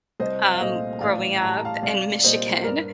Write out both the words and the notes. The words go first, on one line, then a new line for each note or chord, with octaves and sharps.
um, growing up in Michigan
C2 C5 D#5
F5
A#2 A3 C5 D#5
A1 D5 F5
A2 G3 A5
A#5
F5 A5
C2 D5 F5
D5
A#2 G3 A#3 C5 D#5
G2 A#4 D5